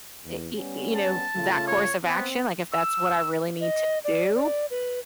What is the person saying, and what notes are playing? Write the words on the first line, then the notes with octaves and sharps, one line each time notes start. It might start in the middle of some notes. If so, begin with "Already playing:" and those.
uh uh, it it you know, that course of action, like, if that's what I really need to do
E2
G3 B3 C#4
A5
C#3 A3 F4
C#5
B3 C4
E6
D#5
D5
D5
B4